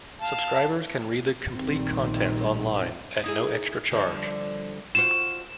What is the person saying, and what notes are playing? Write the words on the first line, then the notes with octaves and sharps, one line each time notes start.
Subscribers can read the complete contents online at no extra charge.
F5 A5
A#1 D#3 G3 C4
D#4 E4 G#4
D3 F3 G3
F4 F#4 C5 E7